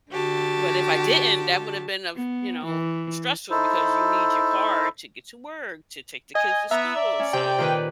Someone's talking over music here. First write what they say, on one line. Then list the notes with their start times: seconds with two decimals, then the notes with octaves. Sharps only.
but if I didn't, that would’ve been, uh f you know, stressful because you need your car to get to work, to take the kids to school, so
0.11 D3 F#4 G4 A5
2.15 B3
2.66 E3
3.50 D#4 E4 A4 C5
6.35 D#5 G#5
6.71 B3 E5 A#5
6.96 D5
7.20 C#4
7.33 C3 G5
7.58 A#2 D#3 B4